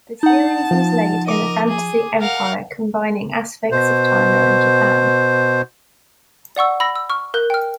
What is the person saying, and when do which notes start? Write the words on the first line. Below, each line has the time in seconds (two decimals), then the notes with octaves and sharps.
The series is laid in a fantasy empire combining aspects of China and Japan.
0.23 D#4 F#5 A5
0.71 F3
1.28 A#4 D#5 D6
1.68 G#4
2.20 A#4 F5 F#5
3.71 B2 C5
6.56 D5 F#5 C#6 E6
6.80 B5 E6 A#6
6.96 E6
7.10 C#6 F6
7.34 A#4 F#6 G6 G7
7.50 G5 F6